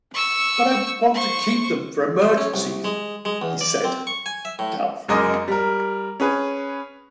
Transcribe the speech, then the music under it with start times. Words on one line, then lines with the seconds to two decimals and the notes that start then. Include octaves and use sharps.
"But I want to keep them for emergencies" he said, doubtfully.
0.14 C#6 E6
1.14 C5 C#6
2.22 C5
2.38 C#4
2.54 C2
2.85 G#3
3.25 G#3
3.42 E2
3.61 D5
3.84 C4
4.07 C#6
4.26 G#5
4.45 E5
4.59 A2
5.08 F#1 F#2 G#3 A#4 D#5 D6
5.48 G3 A#4
6.20 C#4 G#4 B4